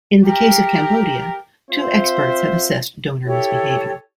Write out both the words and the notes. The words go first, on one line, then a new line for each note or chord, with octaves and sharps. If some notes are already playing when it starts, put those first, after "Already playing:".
In the case of Cambodia, two experts have assessed donor misbehaviour.
G4 A#4
C4 F4 C5 E5
E4 G4 A4 C#5